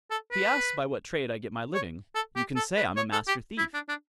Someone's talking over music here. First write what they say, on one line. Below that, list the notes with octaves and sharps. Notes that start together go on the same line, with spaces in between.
'If he asks by what trade I get my living, you can say I'm a Master Thief.'
A4
B4
C#5
A4
G4
A4
B4
C#5
A4
G4
E4
D4
D4